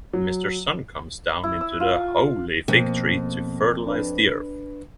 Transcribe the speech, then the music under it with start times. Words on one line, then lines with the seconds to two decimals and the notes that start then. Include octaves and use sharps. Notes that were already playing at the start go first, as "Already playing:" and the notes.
Mr. Sun comes down into the holy fig-tree to fertilize the earth.
0.13 F#3
1.44 E4
1.61 E6
1.80 F4
2.68 F2 B2 A#3 B3
3.87 D4 B4